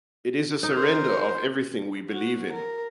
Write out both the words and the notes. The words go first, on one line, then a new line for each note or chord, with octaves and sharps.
It is a surrender of everything we believe in.
D#4
A#4 C5
F#4
A#4